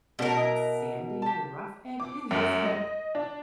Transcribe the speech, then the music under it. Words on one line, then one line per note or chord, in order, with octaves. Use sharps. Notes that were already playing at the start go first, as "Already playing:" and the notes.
um, sanding your rough edges, you know,
B2 A3 C#4 A4 A#4
E4 D#5
G4 A5
D6
F#2
D#5
D4